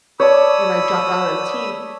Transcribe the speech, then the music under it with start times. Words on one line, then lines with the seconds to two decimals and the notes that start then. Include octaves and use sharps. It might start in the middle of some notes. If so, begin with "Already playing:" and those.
and I dropped out of the team,
0.20 C#5 D5 A5 B5 D#6 E6